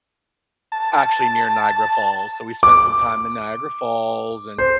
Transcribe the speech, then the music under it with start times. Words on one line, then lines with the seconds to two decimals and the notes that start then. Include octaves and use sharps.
actually near Niagara Falls, so we spent some time in Niagara Falls, and
0.72 A5
2.63 D6
4.58 C5